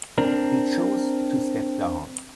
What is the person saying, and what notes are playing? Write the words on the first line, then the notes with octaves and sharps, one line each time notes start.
He chose to step down.
C4 D4 A#4